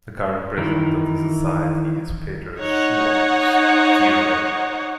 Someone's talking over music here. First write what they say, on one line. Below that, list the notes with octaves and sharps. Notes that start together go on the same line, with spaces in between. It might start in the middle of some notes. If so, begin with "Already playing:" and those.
The current president of the Society is Pedro Schwartz Giron.
D#3 E3
D#4 C#5 F#5